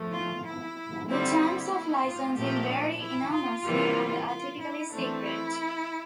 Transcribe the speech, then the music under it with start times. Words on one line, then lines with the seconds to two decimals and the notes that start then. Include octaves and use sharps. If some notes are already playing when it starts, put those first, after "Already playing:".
The terms of licensing vary enormously, and are typically secret.
Already playing: F3 A3
0.12 F4
0.45 E4
1.08 D3 G3 C4 E4
1.40 E4
2.04 F4
2.36 A#2 F3 A3 G4
2.68 D4
2.99 E4
3.32 F4
3.63 C3 E3 G3 A#3
4.27 F4
4.60 E4
4.91 E3 A3 C4 D4
5.23 E4